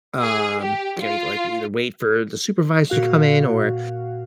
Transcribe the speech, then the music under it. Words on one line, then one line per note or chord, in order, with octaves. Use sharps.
um, you know, like, either wait for the supervisor to come in or,
G#4
G4
F4
A#2 F#4 F5